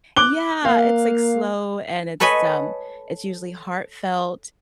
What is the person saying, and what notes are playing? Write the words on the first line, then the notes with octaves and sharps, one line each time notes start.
yeah, it's, like, slow and it's, um, it's usually heartfelt,
D6 F#6 G7
A#3 F5
A4 B4 C#5 D#5 G#5 B5